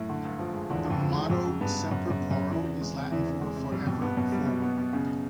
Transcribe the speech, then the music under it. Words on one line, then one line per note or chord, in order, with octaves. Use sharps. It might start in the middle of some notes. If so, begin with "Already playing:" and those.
The motto, "Semper Porro", is Latin for "Forever Forward".
Already playing: F#2 A2
D3
G2
F3
G#3
E2 D3
G2
F2
F3
E2 G#3
F2 F#3
C#3
G2 B3
C#3
F#2 F#3
F#2 C#3
B3
F#2
C#3
E2 E3
C3
G#3
C3
E2 E3
C3
G#3
C3
F2 G3
F2 B2
G2 B3
F#2 B2
G3
B2
B3
B2
C#3